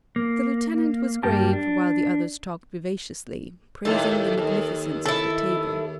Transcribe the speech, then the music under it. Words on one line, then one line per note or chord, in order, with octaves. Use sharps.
The lieutenant was grave while the others talked vivaciously, praising the magnificence of the table.
A#3
G2 G3 A#3 G4 A5
D4
D#2 A2 A4
D#2
E4 A4